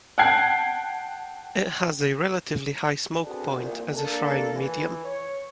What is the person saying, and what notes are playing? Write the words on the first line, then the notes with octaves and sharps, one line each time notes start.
It has a relatively high smoke point as a frying medium.
F#5 G5 A5 F#6 G#6 C7
B3 C4 D4 F#4 G#4 A4
C2 A#2
A#3 D4 A4
E3
C#5